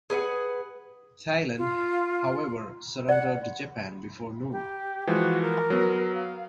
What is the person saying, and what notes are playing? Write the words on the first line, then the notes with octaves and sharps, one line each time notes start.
Thailand, however, surrendered to Japan before noon.
G#4 B4 D#5 F#5
F4
D5 F#5
G4
E3 F3 G#3 F#4
A#4
F#3 B3
F5